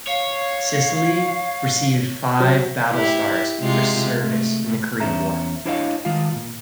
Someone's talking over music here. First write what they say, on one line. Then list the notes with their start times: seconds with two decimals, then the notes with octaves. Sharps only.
"Sicily" received five battle stars for service in the Korean War.
0.08 C#5 F5
2.40 F#3 C5
2.92 E4 G4
3.59 C3 G#3 F4
4.21 A3
5.00 E2 G#2 C#4 C5 E5 A#5
5.65 D4 E4 C5 C#5 D#5 F5
6.05 D#3 G#3 F4 F5
6.35 A#2